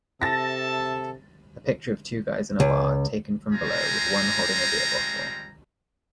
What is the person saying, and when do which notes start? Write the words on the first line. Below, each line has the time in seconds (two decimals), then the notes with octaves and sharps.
A picture of two guys in a bar taken from below with one holding a beer bottle.
0.22 C3 A4 E5 A5 A6 A#6
2.60 C#2
3.52 G3 G#3 C4 F4 G#5 A#5